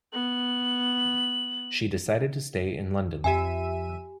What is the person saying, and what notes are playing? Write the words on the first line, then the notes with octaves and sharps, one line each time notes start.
She decided to stay in London.
B3 F#7
F2 G4 E5 G#5 D#7